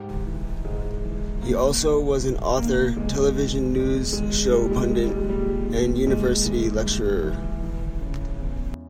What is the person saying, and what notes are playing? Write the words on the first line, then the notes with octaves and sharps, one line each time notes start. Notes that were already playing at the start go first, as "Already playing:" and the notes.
He also was an author, television news show pundit, and university lecturer.
Already playing: G#2 G4
E3
G#2 G#3
E3
G2 A#3
D#3
G2
D#3 A#3
E2 G#3
D#3
E2 G#3
D#3 G#3
A#2 G3
G#3
A#2 G#3
G3
G#3
A#2 G3
A#2
G2 G#3
E3 G#3
G2
E3
E3
C#3
E2